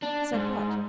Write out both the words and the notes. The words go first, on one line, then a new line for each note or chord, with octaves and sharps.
"Said what?"
D4
G#2